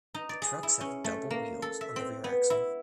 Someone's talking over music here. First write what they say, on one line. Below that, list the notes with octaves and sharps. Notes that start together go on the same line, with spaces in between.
The trucks have double wheels on the rear axle.
D#4
D5
G#4
E4
C#4
A3
A#3
A4
E5
C4
B3
E4